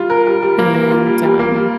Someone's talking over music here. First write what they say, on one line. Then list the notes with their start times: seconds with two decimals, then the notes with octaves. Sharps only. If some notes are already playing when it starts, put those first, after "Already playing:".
and, um
Already playing: G3 F4
0.10 A#4
0.27 G3
0.43 G3
0.59 A#3
0.75 A#3
0.90 F4
1.07 G3
1.24 G3
1.39 A#3
1.56 G3